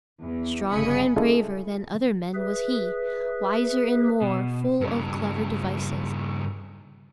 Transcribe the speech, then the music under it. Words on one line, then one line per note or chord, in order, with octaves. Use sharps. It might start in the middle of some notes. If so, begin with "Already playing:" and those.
Stronger and braver than other men was he, wiser, and more full of clever devices.
E2
G1 C#3 D#5 G#5 B5 C#7
G#3 C#4 E4 F4 G#4 A4
G#4 B4 E5
B2
G2 C#3